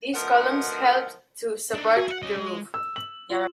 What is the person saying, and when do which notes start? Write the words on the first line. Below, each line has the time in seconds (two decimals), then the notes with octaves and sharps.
These columns helped to support the roof.
0.14 D2 F3 B3 A#4 D#5 F#5
1.74 D4 D#4
1.97 F#4 G#4
2.08 E4 F#5
2.23 C#4 D#5
2.37 G#3
2.74 E6
2.96 F#7
3.30 F4